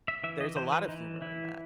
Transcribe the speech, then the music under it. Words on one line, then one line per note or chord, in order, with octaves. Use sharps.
There's a lot of humor in that.
E5
E3 E5
D#5
E3 C5
B4
E3 D#4
E3 E4